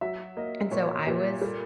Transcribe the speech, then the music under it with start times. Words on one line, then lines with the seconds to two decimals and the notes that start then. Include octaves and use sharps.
and so I was,
0.01 F#3 E5
0.37 A#3 D#5
0.71 A#2 C#5
1.07 A#2 G4
1.41 G3 A4